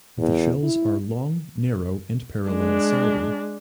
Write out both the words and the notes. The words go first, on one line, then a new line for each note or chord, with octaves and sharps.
The shells are long, narrow, and parallel-sided.
E2
E4
G#3 D4